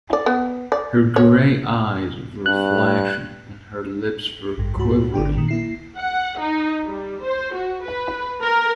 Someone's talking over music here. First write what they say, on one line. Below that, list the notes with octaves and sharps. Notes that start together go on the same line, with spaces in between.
Her gray eyes were flashing, and her lips were quivering.
D5
B3
D5
C#5
G2 F#6
A1 G2
C#2 G#2 F#4
G#1 D3 D4 G5
A#2 D#3
A#3 E4 C7
F#5
D#4
G3
C5
F#4
B4
A#4